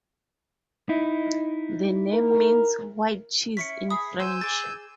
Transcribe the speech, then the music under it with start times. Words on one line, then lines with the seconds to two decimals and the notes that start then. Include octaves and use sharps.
The name means "white cheese" in French.
0.89 D#4 E4
2.13 A#4
3.57 C#4 E4 B6 C#7
3.90 G#4 B5 D#6
4.20 C5 G#5 E6 G6
4.41 G#4 D6 A6